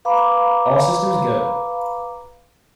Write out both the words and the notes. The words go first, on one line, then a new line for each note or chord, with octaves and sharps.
All Systems Go!
B4 F5 A#5 B5 D6